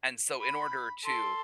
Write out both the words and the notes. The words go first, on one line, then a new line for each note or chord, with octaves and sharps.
and so, in order to
B5
A4 C6